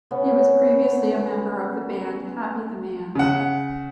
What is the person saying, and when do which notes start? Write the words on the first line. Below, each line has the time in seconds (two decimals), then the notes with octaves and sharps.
He was previously a member of the band Happy the Man.
0.11 C#3 B3 C#4
3.15 C#3 F#5